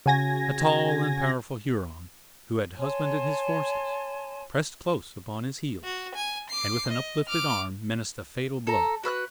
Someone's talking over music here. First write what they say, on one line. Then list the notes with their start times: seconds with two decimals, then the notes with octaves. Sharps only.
A tall and powerful Huron, who had husbanded his forces, pressed close upon his heels, and with an uplifted arm menaced a fatal blow.
0.06 C#3 F#4 G#5 G#6 A#6
2.78 C#5 G#5 A5 C6
5.84 F#4
6.15 G#5
6.50 D6 C7
6.88 D#5
7.27 D6 F6
8.67 A4 A#5
9.04 F#4 B4 F6 F#6